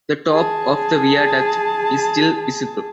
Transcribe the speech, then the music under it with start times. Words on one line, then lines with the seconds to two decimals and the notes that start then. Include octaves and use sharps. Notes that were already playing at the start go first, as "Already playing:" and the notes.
The top of the viaduct is still visible.
0.32 G#4 A5